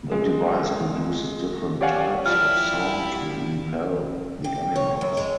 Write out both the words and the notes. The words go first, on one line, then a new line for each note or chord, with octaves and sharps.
The device produces different types of sound to repel the animals.
G#3
G4 C#5 D5 F5 F#5 G#5
F3 E4 G4 D5 F6
G4
C#5
F#2
G#3